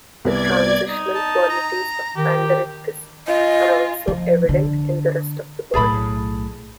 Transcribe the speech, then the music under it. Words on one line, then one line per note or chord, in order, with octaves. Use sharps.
The transitional qualities of "Panderichthys" are also evident in the rest of the body.
C2 B3 D5 G#6
D#4
A5
A#5
D#3 G4
F4 D#5 G#5
F3
D3
B1 A2 G#4 A4 B5